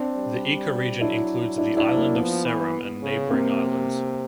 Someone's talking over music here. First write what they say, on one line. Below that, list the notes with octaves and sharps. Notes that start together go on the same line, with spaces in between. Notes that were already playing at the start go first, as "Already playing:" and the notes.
The ecoregion includes the island of Seram and neighboring islands.
Already playing: C4 D4
G3
F#3 D4 E4
D4 E4
D4 E4
A#3
F3 B3
E3
C#3
C3 A#3 C4